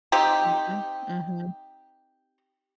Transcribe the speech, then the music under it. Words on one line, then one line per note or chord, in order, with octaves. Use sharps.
Mhm. Mhm.
C4 D#4 G4